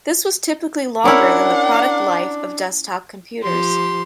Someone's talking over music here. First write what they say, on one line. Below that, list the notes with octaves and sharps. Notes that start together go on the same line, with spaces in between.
This was typically longer than the product life of desktop computers.
C#4 D4 E4 A#4 F#5
F3 G4 C6